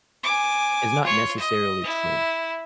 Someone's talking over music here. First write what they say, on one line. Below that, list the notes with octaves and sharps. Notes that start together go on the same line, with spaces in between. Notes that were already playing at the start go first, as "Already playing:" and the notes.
is not necessarily true.
G#5 D6
F4 C#5
D#5
E4